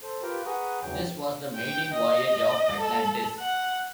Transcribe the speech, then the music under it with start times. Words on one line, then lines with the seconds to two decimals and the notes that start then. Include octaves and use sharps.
This was the maiden voyage of "Atlantis".
0.03 A4 C5
0.23 F4 G4 A#4 B4 G5 A#5
0.46 G#4 B4 F#5 A#5 C#6 D#6
0.82 E2 G2 C#3 E3 F#3 G5
1.55 G5
1.93 D#5
2.79 A4
3.39 F#5